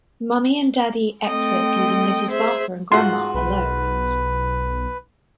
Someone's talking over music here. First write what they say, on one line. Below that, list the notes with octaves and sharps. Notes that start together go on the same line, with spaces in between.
Mommy and Daddy exit, leaving Mrs. Barker and Grandma alone.
A3 C4 A4 D#5 G5
G#4 C5 E5
G#2 F4 F#4 F#5 C6
B1 B4